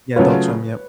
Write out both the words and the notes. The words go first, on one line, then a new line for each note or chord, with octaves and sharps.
Yeah, Adult Swim, yep.
C#3 F#3 A3 C#4 F4 B4 C#5